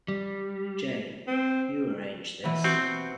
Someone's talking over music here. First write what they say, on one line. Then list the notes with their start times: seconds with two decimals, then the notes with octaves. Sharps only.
Jane, you arrange this.
0.08 G3
1.27 C4
2.44 B2 E3
2.64 C4 F#4 G6